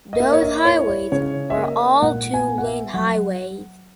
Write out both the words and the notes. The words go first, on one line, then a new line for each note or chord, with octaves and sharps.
Those highways are all two lane highways.
D#5
A#3 E5
C#5
D#5
E4 C#5
C#5
C#3 C#5
E5
A#3 D#5
A#2 F#5
G#5
B3
F#5
E5
F#3 F#5